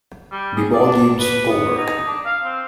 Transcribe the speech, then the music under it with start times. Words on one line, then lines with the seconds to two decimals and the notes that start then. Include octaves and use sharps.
The Ball Game's over!
0.31 G3
0.56 G#4
0.73 D5
0.85 D4
1.19 B4
1.49 B3
1.77 D#4
2.07 D4
2.25 F5
2.44 C4